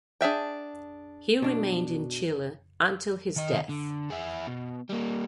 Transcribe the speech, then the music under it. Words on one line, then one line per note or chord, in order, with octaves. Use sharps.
He remained in Chile until his death.
D4 G#4 E5 G5
B2 D4
D#3 D#5
D3
E4 G#4
B2
G3 A#3